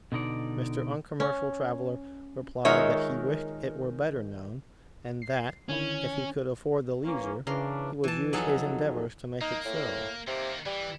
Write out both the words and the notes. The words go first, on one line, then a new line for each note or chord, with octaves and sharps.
Mr. Uncommercial Traveller replied that he wished it were better known, and that, if he could afford the leisure, he would use his endeavours to make it so.
B2 D3 D#4 D5
C#4
D#3 G#3 F4 A#4 C#5 E5
C7
D3 D#3 C#4 E4
E3 A#3 C#4
C#3 E3 C#4 D4 A#4 C6
E3 A5
F2 F#3 D#4 G#4 A4
A#3 D#4
A2
C3 D#3 A#3
E3 G3